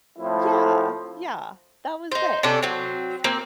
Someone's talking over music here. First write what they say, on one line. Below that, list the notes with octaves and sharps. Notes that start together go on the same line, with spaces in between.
Yeah, yeah, that was it.
F2 A2 F3 A3 E4
D#4 C5
C3 C#4 D4 A4
F#3 C4
A#3 C4